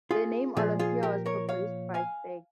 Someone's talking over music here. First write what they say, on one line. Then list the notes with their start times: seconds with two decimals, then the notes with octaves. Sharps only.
The name "Olympia" was proposed by Stagg.
0.11 F4 G#4
0.57 A#2 F3 F4 G#4
0.79 F4 G#4
1.03 G4 A#4
1.26 A#4 C#5
1.49 C#5 F5
1.94 F5 G#5